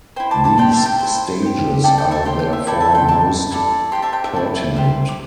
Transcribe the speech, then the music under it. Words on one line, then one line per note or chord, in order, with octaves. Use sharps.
These stages are therefore most pertinent.
E4 C5 G5 C6
A5 D6
A5 D6
G4 D5 G5 C6
E5 A5
G5
E4 C5
G4 C5
E4 A4 D5 G5
G5
E5 A5
G4 C5 G5 C6
G5
E5
E4 A4 D5 G5
E5 A5
G5 C6
E4 C5 A5 D6
E4 A4 D5
G4 C5 G5 C6
E5 A5
G5
E5
E4 A4 D5
G4 C5
D6